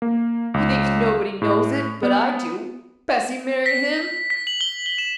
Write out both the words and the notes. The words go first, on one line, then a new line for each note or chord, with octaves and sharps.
He thinks nobody knows it, but I do. Bessy marry him?
A#3
C#2
A2
B3
B6
B6
F#7
G7
G7
E7